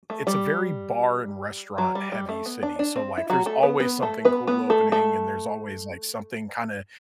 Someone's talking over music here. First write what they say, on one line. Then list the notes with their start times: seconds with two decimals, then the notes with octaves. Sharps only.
it's a very bar and restaurant heavy city, so, like, there's always something cool opening, and there's always, like, something kinda,
0.10 A3
0.27 G3
1.78 F#3
1.95 G3
2.12 G3
2.29 A3
2.46 B3
2.63 D4
2.79 D4
2.96 C4
3.17 E4
3.30 F#3 F#4
3.46 A3 A4
3.63 B3 B4
3.80 B3 B4
4.02 A3 A4
4.25 B3 B4
4.47 B3 B4
4.70 A3 A4
4.92 A3 A4